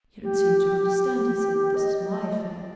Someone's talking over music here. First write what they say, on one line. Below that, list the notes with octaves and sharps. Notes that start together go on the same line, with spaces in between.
"You don't seem to understand," he said, "this is my affair."
G4
D#5
D5
D#5
D5